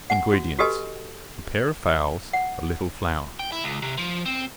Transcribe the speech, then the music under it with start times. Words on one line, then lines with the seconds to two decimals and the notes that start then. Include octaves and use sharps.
INGREDIENTS.--A pair of fowls; a little flour.
0.10 F#5 G#5
0.33 F#4
0.59 F#4 G4 A4 B4 D#5 G#5
2.33 F#5
3.39 G5
3.52 E4
3.64 C#2
3.82 C3
3.98 F3
4.26 C4